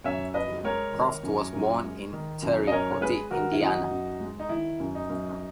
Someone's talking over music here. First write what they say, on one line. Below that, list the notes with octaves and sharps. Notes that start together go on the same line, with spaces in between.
Cruft was born in Terre Haute, Indiana.
F#2 C#5 E5
F#2 B4 D#5
G#3 A#4 C#5
D#3
F#2
F#2
G#3
D#3
F#2
D#5
F#2 A#4 C#5
C#5
G#3 G#4 B4
D#3 F#4 A#4
E4
F#2 D#4 F#4
F#2
G#3
D#4
D#3 E4
F#2
D#4
F#2